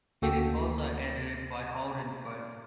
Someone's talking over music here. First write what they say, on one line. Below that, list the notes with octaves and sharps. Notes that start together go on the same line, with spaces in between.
It is also edited by Holden Frith.
D2 A#3 F#4 A4 G5 B6